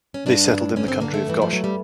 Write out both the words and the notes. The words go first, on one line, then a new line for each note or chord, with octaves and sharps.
They settled in the country of Goshen.
C#4
G2 D4
G2
D3 C#4
C4
D3 A#3
A3
G2 E3
F3
G2 F#3
G3